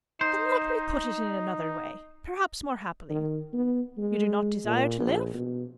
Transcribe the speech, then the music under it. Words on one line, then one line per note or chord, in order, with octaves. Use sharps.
"Then let me put it in another way--perhaps more happily: You do not desire to live?"
D#4 C5
D#3
B3
G#3
A#2
A#1
B2